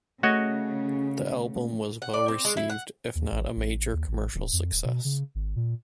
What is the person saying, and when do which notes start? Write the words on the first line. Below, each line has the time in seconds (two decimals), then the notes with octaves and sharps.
The album was well-received, if not a major commercial success.
0.23 C#3 A3 F#4 C#5 D#5
2.02 F#5
2.14 D5
2.28 C4
2.45 G#3
2.57 E4
2.70 F#5
3.15 D#2
3.32 A1
3.56 A1
3.94 D#2
4.07 A1
4.34 D1
4.53 F2
4.72 D1
4.85 B2
5.05 C#3
5.35 G#1
5.56 A#2